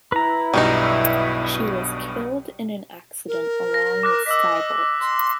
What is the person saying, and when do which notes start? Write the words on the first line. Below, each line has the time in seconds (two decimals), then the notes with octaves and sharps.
She was killed in an accident along with Skybolt.
0.12 E4 B4 A#5
0.53 B1 G2 B2 G3 D#4
3.28 A#4
3.74 A#6
4.03 D6 F#6 A#6
4.26 D#5 E6 B6
5.01 C6